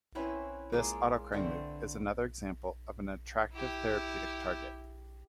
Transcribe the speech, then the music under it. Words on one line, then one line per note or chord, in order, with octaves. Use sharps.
This autocrine loop is another example of an attractive therapeutic target.
C4 C#4 E4 B4
G#3 A#3 F4
D3 A3 C4 B4
E4 G4